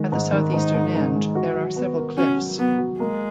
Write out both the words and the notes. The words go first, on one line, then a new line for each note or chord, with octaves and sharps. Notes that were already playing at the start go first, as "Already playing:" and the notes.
At the south-eastern end, there are several cliffs.
Already playing: D#3 G#3
G#2
D#3
G#2 D#4
G#2
G#2
G#3
F#4
F#3
B3
A#4
C#4 F#4
F#3
F#3 B3
F#3
G#3 A#3